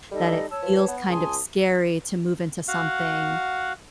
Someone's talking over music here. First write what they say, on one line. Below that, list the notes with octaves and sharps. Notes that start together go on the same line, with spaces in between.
that it feels kind of scary to move into something
G3 D#4 A4 D#5
C#5 A5 E6
F3 B4
B3
C#2 G#5 A5 C6 D#6
F#4 F5 F#5